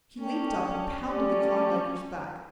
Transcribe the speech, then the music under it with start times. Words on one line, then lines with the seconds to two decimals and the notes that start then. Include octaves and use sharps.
He leaped up and pounded the Klondiker's back.
0.20 C#4 D4 A4 C#5 G5
1.06 A3 C#4 D4 G4 D5